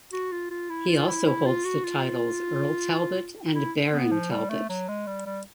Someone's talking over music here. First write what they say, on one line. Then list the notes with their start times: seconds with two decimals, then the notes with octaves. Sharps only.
He also holds the titles Earl Talbot and Baron Talbot.
0.13 F#4
0.32 F4
0.51 F4
0.69 E4
0.88 F4
1.08 E4
1.27 E4
1.46 F4
1.65 F#4
1.84 F4
3.55 E4
3.93 B3
4.12 F3
4.31 G3
4.49 A3
4.69 F#3
4.88 G#3
5.07 G3
5.26 G3